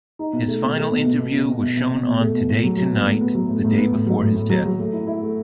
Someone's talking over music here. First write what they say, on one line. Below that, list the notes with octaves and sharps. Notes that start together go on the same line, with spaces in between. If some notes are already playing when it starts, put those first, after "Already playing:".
His final interview was shown on "Today Tonight" the day before his death.
D#4
B2
A3
B2
A3
B2
B2
B2
B2
B2
B2
B2
B2
B2
A3
B2
A2
F#3
F#3
B3
A2
B3
F#3
A2
A2
B3
A2
F#3
A2
A2
F#3
F#3
A3
E4
E4
A3